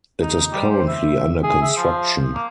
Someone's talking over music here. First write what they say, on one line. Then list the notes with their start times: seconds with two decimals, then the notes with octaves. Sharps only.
It is currently under construction.
0.22 D#4
0.52 G3
0.70 C5
0.88 E5
1.43 G#4
1.62 E5
1.77 F3
2.35 A#3